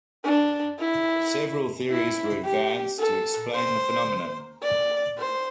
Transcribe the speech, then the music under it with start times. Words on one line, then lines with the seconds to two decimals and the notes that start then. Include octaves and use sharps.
Several theories were advanced to explain the phenomenon.
0.24 D4
0.79 E4
1.90 E4
2.44 G4
2.99 A4
3.54 C5
4.63 D5
5.19 C5